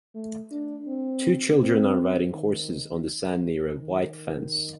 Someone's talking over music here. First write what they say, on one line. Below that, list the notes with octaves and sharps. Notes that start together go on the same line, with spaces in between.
Two children are riding horses on the sand near a white fence.
A3
D4
C4
C4
D#3
D#3